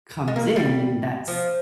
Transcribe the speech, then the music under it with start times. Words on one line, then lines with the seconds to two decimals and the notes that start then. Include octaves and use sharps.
comes in, and that's
0.28 G#3
0.36 A#3
0.56 G3
1.28 F3